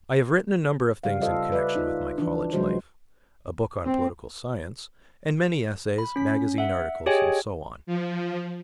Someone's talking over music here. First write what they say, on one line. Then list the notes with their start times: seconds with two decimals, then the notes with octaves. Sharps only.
I have written a number of things in connection with my college life--a book on Political Science, and many essays, magazine articles, and so on.
1.04 C#3 G3 F5
1.21 F4 A4 C5 D#5 F5
1.52 B4 D5 E5
1.75 D#4 F4
2.18 E3 F3 D4
2.53 C3 F3 F#3 G#3 F#4 C5
3.84 C4
5.98 B5
6.16 C#4 B6
6.58 E5 F#5
7.06 G4 G#4 C#5 D#5 G5 G#5
7.87 F3